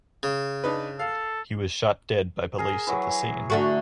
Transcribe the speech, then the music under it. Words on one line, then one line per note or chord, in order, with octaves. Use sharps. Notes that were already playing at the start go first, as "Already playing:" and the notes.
He was shot dead by police at the scene.
C#3
D4 D#4 B4
A4 F5
G#4 A#4
E3 F#3 C#6
D3 A3 F#4